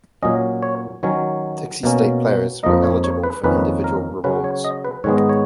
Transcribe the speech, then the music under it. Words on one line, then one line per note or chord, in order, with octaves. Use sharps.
Dixie State players were eligible for individual rewards.
A#2 F#3 C#4 D#5
C#5
D#3 F#3 C#4 C#5
B2 A#3 C#4
F2 F3 A#3 D#4 D#5
C#5
C#5
B4
F2 D#3 A#3 C#4 B4
A#4
C#3 F#3 C#4 B4
C#5
D#5
B4
G#2 D#3 G#3 B3 C#5
D#5
C#5